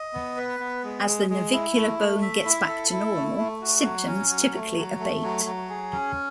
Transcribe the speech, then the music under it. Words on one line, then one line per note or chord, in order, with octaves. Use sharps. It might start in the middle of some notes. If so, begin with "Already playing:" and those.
As the navicular bone gets back to normal, symptoms typically abate.
Already playing: D#5
B3
B4
B3
G#3
G#3
G#3
E4
A3
A3
E5
E4
A4
E4
A3
A3
F#4
F#3
C#4
F#3
A3
F#3
A3
F#3
F#3
G#4
C#4